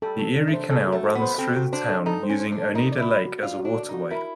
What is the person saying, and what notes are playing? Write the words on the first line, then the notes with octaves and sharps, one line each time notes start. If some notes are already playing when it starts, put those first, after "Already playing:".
The Erie Canal, runs through the town, using Oneida Lake as a waterway.
G3 A4
A4
D4
A3
C5
G#3 A4
A3 F#4
A4
B3
C5
C4 A4
F#4
D4 C5
A4
D#4 A4
C5
C#4
C5
D4
A4
D#4 A#4
D5
E4
F#4
F#4
F4 D5
F#4
D4
D5
D#4
F#4
E4 A#4